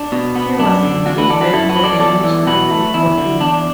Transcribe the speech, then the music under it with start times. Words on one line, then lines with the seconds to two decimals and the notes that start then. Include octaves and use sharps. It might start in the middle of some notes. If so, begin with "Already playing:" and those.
He was a fullback for the National Football League.
Already playing: D4
0.12 B2
0.36 B3
0.59 F#2 D4
0.83 D3
1.06 E2 D4 F#4
1.18 F#4 B4
1.30 E3 A4 D5
1.41 F#4 B4
1.53 F#2 E4 A4
1.69 F#4 B4
1.76 F#3
1.84 A4 D5
1.99 E2 A4 D5
2.24 E3
2.47 B2 F#4 B4
2.70 A3
2.94 E2 E4
3.18 D3
3.40 E2 D4